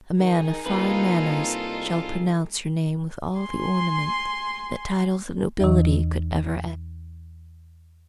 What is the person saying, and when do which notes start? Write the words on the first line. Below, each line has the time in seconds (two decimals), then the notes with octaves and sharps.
A man of fine manners shall pronounce your name with all the ornament that titles of nobility could ever add.
0.20 D#3 D#4 G#4
0.66 C2 A#3 F4 A4 B4
3.37 G#5 C6
5.60 E2 E3